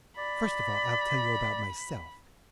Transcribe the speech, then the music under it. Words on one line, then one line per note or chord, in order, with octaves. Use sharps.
First of all I'll tell you about myself.
D5 B5